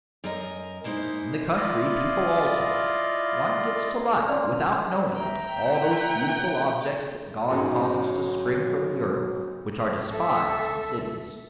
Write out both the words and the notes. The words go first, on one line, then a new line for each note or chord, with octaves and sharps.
In the country people alter; one gets to like, without knowing it, all those beautiful objects that God causes to spring from the earth, which are despised in cities.
F#2 A#4 D#5
G#3 A#3 D#4 E4 C5
E4 F4 D5 D#5 F5
C#4 D5 C6 F6
E5 G5 A#5
B1 G#2 C#3 F#3
A4 E5